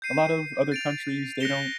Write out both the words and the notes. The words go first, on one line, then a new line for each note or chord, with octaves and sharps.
a lot of other countries, they don't
G6 C7 D#7
A6 D7 F7
F#6 A#6 C#7 E7 G7